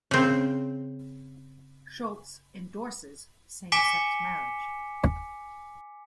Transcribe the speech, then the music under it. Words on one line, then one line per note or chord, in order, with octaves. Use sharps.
Schultz endorses same-sex marriage.
C#3 C4
G#5 D6 B6 C#7 E7 G7